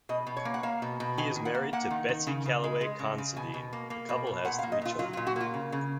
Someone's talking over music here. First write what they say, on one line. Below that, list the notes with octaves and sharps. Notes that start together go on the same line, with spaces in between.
He is married to Betsy Callaway Considine; the couple has three children.
B2 D#5
B2
C#5
A#3
F#5
A#3 F5
B2
B2
D#3 G#5
D#3
F#5
A#3
A#3 F#5
D#3
D#3
C#3
C#3
G#3
G#3
C#3
C#3
B2 G#5
B2
A#3
A#3
B2
B2
A#2 F#5
F5
A#3
D#5
A#2 F4
F#3 F4
F4
A#2
F#4
A#3 F4
C#3
C#3